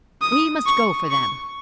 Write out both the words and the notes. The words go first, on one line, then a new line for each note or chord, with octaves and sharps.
We must go for them!
D#6
C#6
C#6